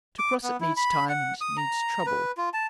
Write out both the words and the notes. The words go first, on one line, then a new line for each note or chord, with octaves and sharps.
To cross it needs time and needs trouble.
D6
B3
E4
B5
F#5
D#6
A#5
B4
F4
A5